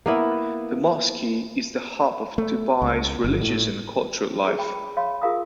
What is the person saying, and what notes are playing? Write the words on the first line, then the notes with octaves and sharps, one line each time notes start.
The mosque is the hub of Dubai's religious and cultural life.
A#3 B3 E4
A3
C#2
G1
A2
G#4 A#5
G5 B5
C#5 F5 B5 C6
F4 G#4 A#4 F5 A#5 D#6